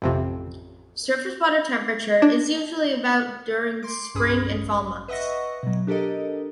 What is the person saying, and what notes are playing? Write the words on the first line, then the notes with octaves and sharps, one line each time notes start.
Surface water temperature is usually about during spring and fall months.
A1 F2 C3
D4
C6 D6
C2 G2 C#4 G#4 B5 D#6
A1
B4 D#5 E5 F#5 C#6 A#6
B2 F#3
D4 G4 A4 A#4 D#5